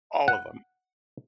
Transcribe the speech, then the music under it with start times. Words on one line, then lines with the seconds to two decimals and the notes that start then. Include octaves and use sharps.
All of 'em.
0.28 F#5